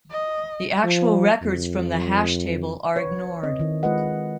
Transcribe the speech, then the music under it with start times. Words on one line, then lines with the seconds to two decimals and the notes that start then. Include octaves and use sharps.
The actual records from the hash table are ignored.
0.11 D#5
0.84 F3
1.42 F2
2.96 B4 C#5
3.43 C4 D#5
3.60 D#3 E4
3.83 G#3 F4 B4 D#5 F#5